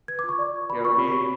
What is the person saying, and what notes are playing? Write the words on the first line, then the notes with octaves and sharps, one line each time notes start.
Yeah, it'd be
B4 G#6
D6
F4
C#6
D5
F4
B4 B5
F4 C#6
C#5 B5
D4